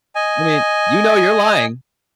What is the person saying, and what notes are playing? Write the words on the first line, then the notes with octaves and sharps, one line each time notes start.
I mean, you know, you're lying.
D#5 G#5